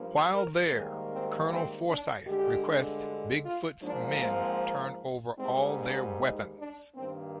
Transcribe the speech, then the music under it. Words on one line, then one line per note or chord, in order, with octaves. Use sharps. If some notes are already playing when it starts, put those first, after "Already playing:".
While there, Colonel Forsyth requests Big Foot's men turn over all their weapons.
Already playing: G2 F3 A#3
A#4
G#2 D#3 G3 A#3 G#4
C4
C4
D4
G2 D3 G#3 G4
F4
G#2 F3 A#3 D4
C4
G#2 G3 A#3 C4
D4
D#4
D4
G2 D#3 A#3 C4